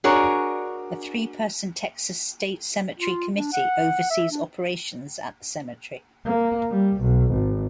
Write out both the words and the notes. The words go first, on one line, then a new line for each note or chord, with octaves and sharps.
A three-person Texas State Cemetery committee oversees operations at the cemetery.
D4 F#4 G#4 A#4 C#5
F4
D4
F#5
E5
D4
A#3
G3
B1
G#1